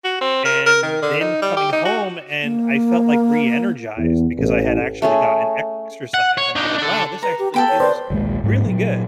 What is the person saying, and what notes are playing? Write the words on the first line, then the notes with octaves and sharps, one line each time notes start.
and then coming home, and I felt, like, re-energized because I had actually gotten an exercise. And I was like, wow. This actually feels really good.
F#4
C4
A#4
A#4
D#3
D3
D#4
G3
G4
D#4
F#4
A#3
E2
A1
A3 C#4 G#4
F#5
C#5
D4 D#4
D4 A4
B4 A#5
G4
B3 A4 G5 B5
C#5
B4 C5 D5
A#1 D#2 A#2 G#3
G#2 G3 A3
A#2 F#3